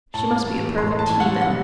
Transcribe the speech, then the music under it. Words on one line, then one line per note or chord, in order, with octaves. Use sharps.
She must be a perfect heathen.
A2 A5
E3
A2 C6
A5
E3
F#5
C3 F#5